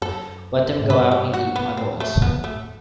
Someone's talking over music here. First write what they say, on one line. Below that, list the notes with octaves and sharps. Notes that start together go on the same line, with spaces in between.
Let them go out and eat with my boys.
F#2 A4
A2
G2 B4
G4
F#4
B3
A2 C4
A3
B3
A3